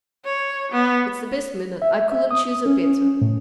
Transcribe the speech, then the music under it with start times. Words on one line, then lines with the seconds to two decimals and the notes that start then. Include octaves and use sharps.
"It's the best minute; I couldn't choose a better."
0.25 C#5
0.72 B3
1.82 E5
2.12 E5
2.31 D#6
2.66 C#4
3.21 A2